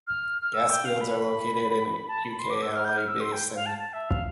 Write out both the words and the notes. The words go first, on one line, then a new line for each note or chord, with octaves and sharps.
Gas fields are located in Ucayali Basin.
F6
F6
E6
G5
F5
B5
B5
A5
B5
C6
D6
E6
F6
G6
F6
E6
C6
G5
F5
A5
A5
E5
F5